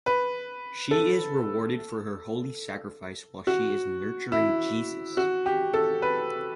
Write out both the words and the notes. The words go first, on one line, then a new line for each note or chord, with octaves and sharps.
She is rewarded for her holy sacrifice while she is nurturing Jesus.
B4
A4
F#4
E4
F#4
G4
A4
B4